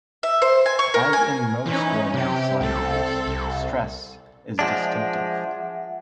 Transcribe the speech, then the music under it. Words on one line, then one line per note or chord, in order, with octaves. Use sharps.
As in most Romance languages, stress is distinctive.
E5
C5
G#5
C#6
A#4
G#5
E3 C#4 D#4
C3 G4
C2 C4 A4
C2
F3 G#3 D4 E5 F#5